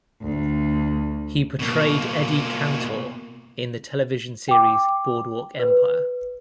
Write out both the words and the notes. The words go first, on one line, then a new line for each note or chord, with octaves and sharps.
He portrayed Eddie Cantor in the television series "Boardwalk Empire".
D2
B2 A#3
G5 D6
B4